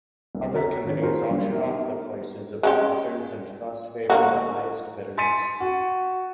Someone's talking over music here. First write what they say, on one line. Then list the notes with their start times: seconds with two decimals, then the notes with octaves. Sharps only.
Other committees auction off the places of officers and thus favor the highest bidders.
0.35 C2
0.53 F#4 C#5 A#5 B6
0.85 D#3 F3 C4 D4 B4 C#5
1.00 D#4 F4 F#4 G#4 A#4 C5
1.31 G3 A#3
1.50 B3 D#4 G4 A#4 E5
2.63 G#3 C#4 G4
4.10 D3 A#3 F#4
5.17 G#5 C6 A6 B6 C#7 D#7
5.60 F#4